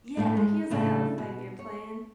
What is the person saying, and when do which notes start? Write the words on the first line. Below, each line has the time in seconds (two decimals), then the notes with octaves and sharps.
Yeah, he doesn't have a five-year-plan.
0.17 A2 A3 F5
0.37 G#3
0.70 A2 C#3 A3 D4
1.18 B2
1.59 C#5